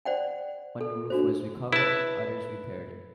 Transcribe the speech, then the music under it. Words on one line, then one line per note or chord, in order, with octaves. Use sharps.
One roof was recovered others repaired.
C5 D5 F#5 G5
A4
D4 F#4 C5
E4 B4 A5